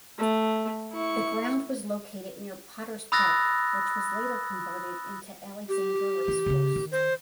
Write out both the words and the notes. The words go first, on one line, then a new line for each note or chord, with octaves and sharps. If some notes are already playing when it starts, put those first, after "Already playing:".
The ground was located near Potters Paddock which was later converted into Alexandra Racecourse.
A3
E4 C#6
B5 D#6 E6 F#6 A6 A#6
G4
E3
C#3 C#4
D#3
C5